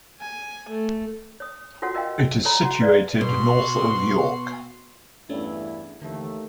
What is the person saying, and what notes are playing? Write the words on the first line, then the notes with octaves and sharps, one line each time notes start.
It is situated north of York.
G#5
A3
C#5 D#6
F4 F#4 A4 C#5 F#5
A#4 D#5 F5 G5
A4 C#5 A#5 B5
F#4 F#5
B4 D5 F5
B2 F#4 C6
E2 G2 A3 C#4 D4 E4
D#2 D3 E3 A3